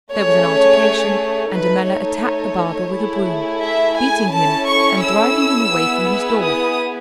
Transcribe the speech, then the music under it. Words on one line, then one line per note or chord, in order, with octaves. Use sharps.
There was an altercation, and Ammella attacked the barber with a broom, beating him and driving him away from his door.
A3 C#4 G#4 C#5
A3 D#4 A4 B4
C#5
A3 E4 G#4
E5
G#5
C#4 E4 A4 A5
C#6
E6
B3 E4 G#4
D#6